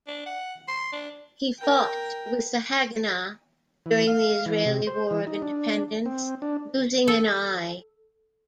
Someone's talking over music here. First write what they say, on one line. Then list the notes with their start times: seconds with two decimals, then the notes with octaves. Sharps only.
He fought with the Haganah during the Israeli War of Independence, losing an eye.
0.08 D4
0.26 F#5
0.68 C6
0.93 D4
1.59 A#4 G5
3.86 E3
4.07 F5
4.46 E3
4.65 C3
4.87 C5
5.11 E3
5.27 D#4
5.42 D4
6.06 C4
6.42 D4
7.08 A4